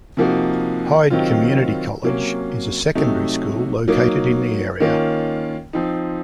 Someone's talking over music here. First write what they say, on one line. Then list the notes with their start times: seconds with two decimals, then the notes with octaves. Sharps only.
Hyde Community College is a secondary school located in the area.
0.17 C3 F3 A#3 D#4 F#4
1.10 C3 D#3 F#3 C4 F4
2.03 C3 F#3 A#3 C#4
2.95 C3 F#3 A3 D#4
3.88 F#3 A#3 D#4
4.80 D#3 A#3 C#4 F4
5.73 F3 C4 D#4